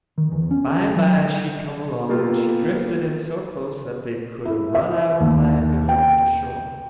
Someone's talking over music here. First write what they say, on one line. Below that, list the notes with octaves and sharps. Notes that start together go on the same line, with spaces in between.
By and by she come along, and she drifted in so close that they could a run out a plank and walked ashore.
D#3
E2
C#4
A4
A5
F#3
A#3 B3 F4 G4 A4
E4
E5
D#2
G5